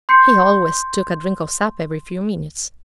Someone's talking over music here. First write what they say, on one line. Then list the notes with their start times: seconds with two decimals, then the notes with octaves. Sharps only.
He always took a drink of sap every few minutes.
0.09 C6 G6 C7 C#7